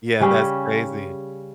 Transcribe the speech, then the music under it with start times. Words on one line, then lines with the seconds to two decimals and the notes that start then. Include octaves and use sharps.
Yeah. That's crazy.
0.20 C#3 G3 C#4 G#4